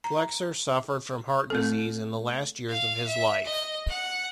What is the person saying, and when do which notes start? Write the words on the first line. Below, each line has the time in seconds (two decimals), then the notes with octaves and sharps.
Flexer suffered from heart disease in the last years of his life.
0.04 A#5
1.50 A3 C4 A4
2.69 F5
3.07 E5
3.46 D#5
3.89 F#5